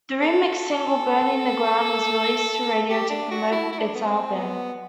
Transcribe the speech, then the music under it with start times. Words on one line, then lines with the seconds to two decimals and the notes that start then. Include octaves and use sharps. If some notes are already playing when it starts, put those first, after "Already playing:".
The remix single "Burning the Ground" was released to radio to promote this album.
0.22 A4
2.90 G4
3.10 D4
3.31 F#4
3.52 E4
3.72 E4
3.79 D4
3.95 B3
4.06 C4
4.34 B3